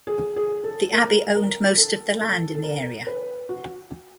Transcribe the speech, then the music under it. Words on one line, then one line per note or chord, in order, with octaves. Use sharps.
The Abbey owned most of the land in the area.
G#4
G#4
A4
A#4
A#4
A4
A4
A4
A#4
B4
F#4